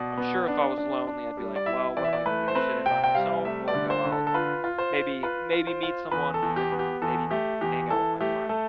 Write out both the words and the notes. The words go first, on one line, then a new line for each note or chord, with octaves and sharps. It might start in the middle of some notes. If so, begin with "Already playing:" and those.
I'm sure if I was lonely, I'd be like, "Well, what am I gonna do? Sit in by myself, or go out, and maybe maybe meet someone, and maybe hang out with my friends."
Already playing: B2 D5
B3
D4
D4
D4
G3
D5
E4 E5
E3 D5
E5
D5
A3 B4
C5
C4 B4
C3 G5
G5
G3 F5
A3 E5
D5
D3
C5
D3
A4
A4
F4 B4
F4
C5
F4
F4 B4
F4
C5
F4
E2 B4
A4
E2
G4
B3
G4
E2 A4
A3 G4
E2 G4
E3 A4
A3 G4
A3 A4